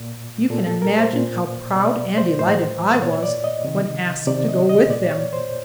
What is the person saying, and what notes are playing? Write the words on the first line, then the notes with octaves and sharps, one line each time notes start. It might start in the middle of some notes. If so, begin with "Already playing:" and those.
You can imagine how proud and delighted I was when asked to go with them.
Already playing: A#2
A#2 A4
A4
A#4
C5
A#2
B2 D5
C5
A2 E3 C5
A#2 C#5
D5
D#5
C3 D#3
C3 D#3 D5
D#5
D#5
A#2 D5
C#5
C5